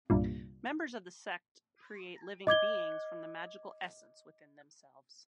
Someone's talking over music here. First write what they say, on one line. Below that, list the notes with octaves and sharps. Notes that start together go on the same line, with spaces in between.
Members of the sect create living beings from the magical essence within themselves.
C2 G2 A#2
D#5 D6 G#6 G7